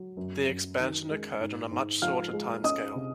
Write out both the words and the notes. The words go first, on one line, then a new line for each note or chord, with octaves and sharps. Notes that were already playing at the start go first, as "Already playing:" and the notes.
The expansion occurred on a much shorter timescale.
Already playing: F#3
F#2
F#2
D#3
G#3
G#2
G#2
F3 F5 F6
G#3
C#4 D#5 D#6
C3